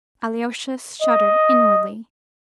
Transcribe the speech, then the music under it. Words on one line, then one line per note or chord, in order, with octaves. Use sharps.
Alyosha shuddered inwardly.
D#5